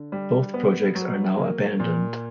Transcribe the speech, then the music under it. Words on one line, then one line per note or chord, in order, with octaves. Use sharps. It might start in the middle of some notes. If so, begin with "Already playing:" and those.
Both projects are now abandoned.
Already playing: D3
G3
B3
F#3
A#3
A#2